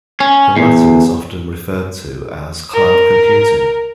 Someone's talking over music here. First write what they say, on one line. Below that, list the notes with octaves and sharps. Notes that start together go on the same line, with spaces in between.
The latter is often referred to as cloud computing.
C#4
E2
A#4